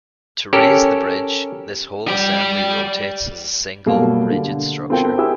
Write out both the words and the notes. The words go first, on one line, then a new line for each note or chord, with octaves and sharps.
To raise the bridge, this whole assembly rotates as a single, rigid structure.
C#4 G4 A4 A#4
G4 D5
B2 F#3 G3 A3 A#3
D3
B3 C4 F4 A4 A#4 G5
E4 G4 G#4 B4 G5 E6